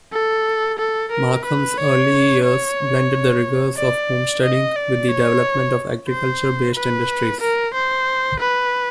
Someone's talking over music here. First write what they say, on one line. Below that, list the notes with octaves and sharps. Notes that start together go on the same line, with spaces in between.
Markham's early years blended the rigours of homesteading with the development of agriculture-based industries.
A4
A4
A#4
B4
C#5
C#5
D5
D#5
D5
C#5
C5
B4
A#4
C5
B4